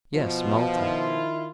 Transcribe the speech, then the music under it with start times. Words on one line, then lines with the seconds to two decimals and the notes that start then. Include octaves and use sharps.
"Yes; Malta."
0.15 B2 F3
0.75 D#3 E4 F4